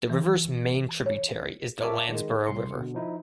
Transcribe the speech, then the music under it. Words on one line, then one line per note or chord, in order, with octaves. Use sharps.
The river's main tributary is the Landsborough River.
E3
C#5
A#4 C#5 E5 A5 D6
D#3 G#3
C2 C6 C#7
B2 D3
F3 D#4 E4